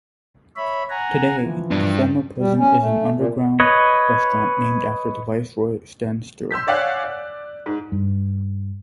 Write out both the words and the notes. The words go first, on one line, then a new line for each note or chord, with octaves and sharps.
Today the former prison is an underground restaurant named after the viceroy Sten Sture.
C#5 E5 B5
F#5 G#5 A#5
E3 F3
G2 D4
G3
C#4
A3
A#2
B4 C#5 D#5
C6 E6 G6 B6
C#5 D5 F5 F#5 G#5 F#6
D5
G#2
G2